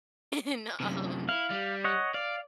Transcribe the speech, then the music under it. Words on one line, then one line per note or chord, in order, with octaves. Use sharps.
And, um
F#2 C3
E4 F5
G3
C#5 D#5 F#5
D5 F5